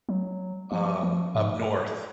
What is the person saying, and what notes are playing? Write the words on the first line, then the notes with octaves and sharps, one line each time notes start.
um, up north,
F#3
F3
F3
G#2